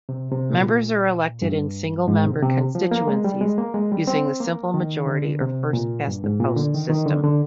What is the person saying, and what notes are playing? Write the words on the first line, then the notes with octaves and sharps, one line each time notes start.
Members are elected in single-member constituencies using the simple majority, or First-past-the-post system.
C3
C3
A#2
G2
G#2
C3
C3
F3
A#3
G#3
G3
G#3
A#3
G#3
G3
C4
A#3
D#3
D3
C3
A#2
G2
G#2
A#2
D3
D#3
D#3
D3
D3